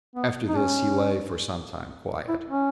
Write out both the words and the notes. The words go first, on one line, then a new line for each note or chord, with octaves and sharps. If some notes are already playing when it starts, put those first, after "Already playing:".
After this, he lay for some time quiet.
B3
D#4
C#4
E4
C#4